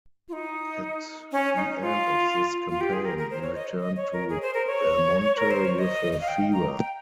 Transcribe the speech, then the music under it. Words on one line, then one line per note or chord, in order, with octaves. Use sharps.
At the end of this campaign he returned to Belmonte, with a fever.
F4
D#4
C#4
D#4
F4
F4
G4
G#4
A#4
A#4
C5
C#5
D#5
D#5
C#5
A#4
G#4
C5
A#4
C#5
A#4
C5
C#5
D#5
D#5
F5
G5
A#5
G5